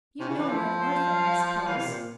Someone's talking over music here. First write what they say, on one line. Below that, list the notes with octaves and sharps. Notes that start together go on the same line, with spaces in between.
You know you're an orphan, I suppose?'
C3 C#4
C#3
E3
F3 E4
C5
F5
E3 F5
C3
A#2